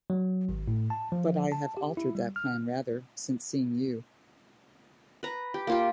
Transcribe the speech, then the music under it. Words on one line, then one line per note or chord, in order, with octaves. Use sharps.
But I have altered that plan rather since seeing you.
F#3
G#1
A2
A5
F3
A5
G4
E4
G3
F6
B4 A#5
G4
A#3 F4 G4